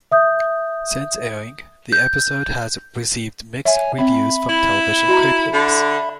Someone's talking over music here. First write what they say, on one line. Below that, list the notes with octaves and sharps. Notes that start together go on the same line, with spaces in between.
Since airing, the episode has received mixed reviews from television critics.
E5 D#6 G6
G6
C#5 E5 G#5
C4 E5 B5
E4
F#4 D#5 A#5
D3